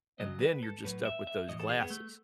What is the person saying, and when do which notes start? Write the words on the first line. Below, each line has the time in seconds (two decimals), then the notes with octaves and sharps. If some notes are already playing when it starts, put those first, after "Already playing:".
And then you're just stuck with those glasses
0.20 C#3 F#3 D#5
0.41 B4
0.63 A4
0.84 A2 F#3 B4
1.05 E5
1.27 E5
1.48 A2 E3 D#5
1.60 A4
1.69 G#4
1.80 B3
1.90 A3